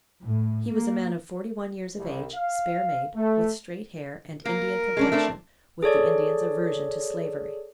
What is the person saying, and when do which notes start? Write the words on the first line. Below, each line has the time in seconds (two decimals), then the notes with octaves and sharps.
He was a man of forty-one years of age, spare made, with straight hair, and Indian complexion, with the Indian's aversion to Slavery.
0.20 A2
0.70 A#3
1.97 C2
2.34 F5
3.15 A3
4.45 A#3 A#4
4.97 G#3 C#4 D4
5.12 A3 C4 D4
5.83 G#4 A4 C#5 D5